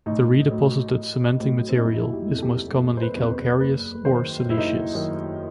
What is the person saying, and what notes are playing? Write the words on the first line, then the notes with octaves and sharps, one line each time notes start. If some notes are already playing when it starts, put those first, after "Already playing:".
The redeposited cementing material is most commonly calcareous or siliceous.
A1 D#4
A2 F#3
A1
A2 F#3
C4
D#4
F#1 E4
D#4
E4
F#4
G4
E2 C3
A4
G4
G4
F#1 A4
C5
B4
E2 C3
B4
F#1 B4
F#2 D#3 F#3 C5
F#1 E4
D#4
E4
F#2 D#3 F#3